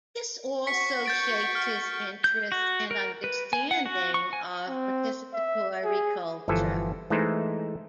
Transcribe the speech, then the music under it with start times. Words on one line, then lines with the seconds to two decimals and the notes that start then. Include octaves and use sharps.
This also shaped his interest and understanding of participatory culture.
0.67 F#4 C#6 B6 C#7
1.06 G6 A6 D7
1.55 F6
2.24 G6
2.52 F#4
2.91 A#4
3.24 B4
3.53 G#5
3.71 F#5
3.86 F#4
4.14 C#6
4.33 G#5
4.68 C4
5.33 E5
5.85 G#4
6.48 G1 E3 F3 A4 G#5
7.10 E3 G#3 A3 D#4 C5